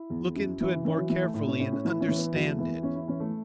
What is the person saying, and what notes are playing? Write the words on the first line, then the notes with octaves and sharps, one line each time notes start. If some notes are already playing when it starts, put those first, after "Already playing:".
Look into it more carefully and understand it!
Already playing: E4
E2
F#2
E3
E3 C#4
F#3
E3
A3
A2
C#4
A2 C#4
C#4
E3 E4
C#4
E3
B3
E2 F#3
A3
E3 B3
E2 C#4
E4
E3 C#4
A3